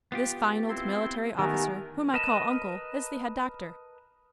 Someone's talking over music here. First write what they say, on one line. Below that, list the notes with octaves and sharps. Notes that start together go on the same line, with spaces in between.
This fine old military officer whom I call uncle is the head doctor.
B3 F4 G4
C4 E4 C6
D#3 A3 B3 G4 A#4 G#5
A#4 B4 D#5 A5